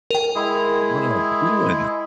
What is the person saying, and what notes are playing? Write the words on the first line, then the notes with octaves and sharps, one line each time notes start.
"What am I doing?"
A#4 G5
G#3 E4 G#4